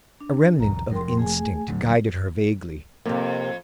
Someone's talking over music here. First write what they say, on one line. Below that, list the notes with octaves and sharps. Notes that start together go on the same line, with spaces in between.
A remnant of instinct guided her vaguely.
D4
B1 E2 A#5
F1 F3 A#4 G5 C6
A3 G#4 G#5
D#1 A2 D3 F#3
F2 C3 A#3